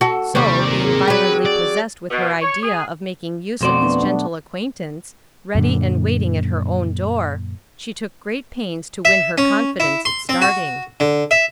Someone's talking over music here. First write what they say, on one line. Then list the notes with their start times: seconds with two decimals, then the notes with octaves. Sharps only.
So, being violently possessed with her idea of making use of this gentle acquaintance, ready and waiting at her own door, she took great pains to win her confidence at starting.
0.01 F#4 A4
0.35 D#2 C3 G3 C#6
0.64 A#4 D5
0.84 G#4
1.08 F#3 G4 B4
1.46 D5
2.11 B2
2.42 C#5
2.63 G#4
3.61 F2 B2 A3 F#4 C5 D5
3.82 B3 D4
4.02 F#3 D4
5.55 F#2 A#2 D3
9.05 E5
9.38 C#4
9.80 E4
10.05 C6
10.29 C4
10.42 F#4
11.00 D3
11.31 E5